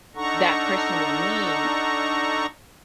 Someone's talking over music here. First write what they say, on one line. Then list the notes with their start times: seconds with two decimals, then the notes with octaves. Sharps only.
that person will need,
0.15 D4 D#4 A4 F#5 A#5 C#6